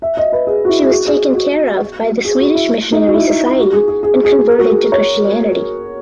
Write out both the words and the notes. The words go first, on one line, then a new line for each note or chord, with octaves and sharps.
She was taken care of by the Swedish Missionary Society and converted to Christianity.
E5
D#5
B4
G#4
F#4
E4
G#4
F#4
G#4
F#4
G#4
F#4
E4
D#4
F#4
E4
F#4
G#4
G#4
G#4
G#4
A#4
F#4
G#4
C#5